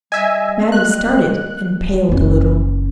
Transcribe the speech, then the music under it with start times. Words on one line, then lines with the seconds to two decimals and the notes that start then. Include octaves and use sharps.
Mattie started and paled a little.
0.12 G3 D#5 E5 G#5
0.72 F#6
1.32 A#3
2.09 F#1 C#4